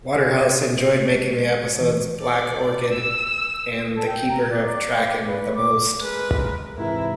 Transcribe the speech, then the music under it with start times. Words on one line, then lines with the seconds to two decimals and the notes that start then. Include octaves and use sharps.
Waterhouse enjoyed making the episodes 'Black Orchid' and 'The Keeper of Traken' the most.
0.16 G#4
0.32 G4
1.14 G#3
1.81 E3
2.21 D5
2.91 E6
3.94 A4
4.06 G5
4.29 A#5
4.50 D5
4.64 D5
4.89 F5
5.09 D5
5.25 B4
5.40 B4
5.54 D6
6.01 G#3 A#4 B4
6.78 G#2 C3 E3 E4 A#4